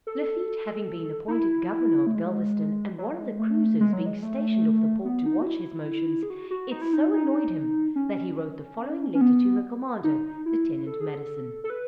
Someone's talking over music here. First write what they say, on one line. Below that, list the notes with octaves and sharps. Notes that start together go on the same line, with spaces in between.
Lafitte having been appointed governor of Galvezton and one of the cruisers being stationed off the port to watch his motions, it so annoyed him that he wrote the following letter to her commander, Lieutenant Madison.
A4
D#4
E4
A3
G#3
F#3
G#3
A3
G#3
F#3
G#3
A3
B3
D#4
F#4
E4
G#4
F#4
F#4
D#4
E4
D#4
D#4
C#4
C#4
B3
D#4
E4
A4
G#4
A4
A4
B4